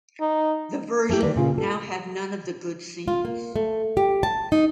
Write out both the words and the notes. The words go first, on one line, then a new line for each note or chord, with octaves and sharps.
The version now had none of the good scenes.
D#4
A3 A#3 E4 G4
D#3 F3 B4 D5
A#2 C#3 F4
A4
F4
A#3
A3
G4
A5
D#4